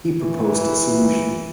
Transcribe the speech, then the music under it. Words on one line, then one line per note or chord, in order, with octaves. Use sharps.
He proposed a solution.
E3